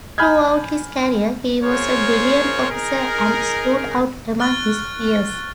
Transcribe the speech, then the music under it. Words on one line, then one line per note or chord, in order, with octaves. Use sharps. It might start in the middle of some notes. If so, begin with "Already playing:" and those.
Throughout his career, he was a brilliant officer and stood out among his peers.
G#5 B5 F6 G6 G#6
F4 G#4 A#4 C5 C#5
D#4 G#4 A#4
C#6 F6 F#6 A6 G7